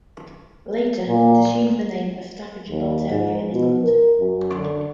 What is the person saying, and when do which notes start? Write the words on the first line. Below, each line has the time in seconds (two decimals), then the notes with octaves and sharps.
Later, it assumed the name of Staffordshire Bull Terrier in England.
1.08 A#2
2.70 D#2
3.10 G#2
3.52 B2
3.83 A#4
4.20 F#2
4.56 D3